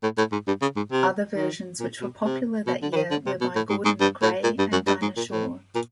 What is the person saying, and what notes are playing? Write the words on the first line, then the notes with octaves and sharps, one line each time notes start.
Other versions which were popular that year were by Gordon MacRae and Dinah Shore.
A2
A2
G#2
G2
C#3
G#2
C3
D#3
A#2
B2
C3
B2
D3
E3
D#3
D3
C3
B2
A2
G#2
G#2
G2
A2
A#2
G2
F#2
G2
G#2
A#2
A2
A#2